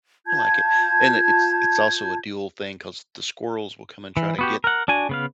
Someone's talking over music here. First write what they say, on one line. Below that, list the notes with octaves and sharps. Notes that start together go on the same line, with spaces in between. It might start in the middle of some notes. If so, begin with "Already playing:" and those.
I like it, and it it's also a dual thing 'cause the squirrels will come and try to get
F4 A5 G6 G#6
E3
B3 F#4 G4
A#4 F#5
D4 F#4 G#5
C#3 B3 F5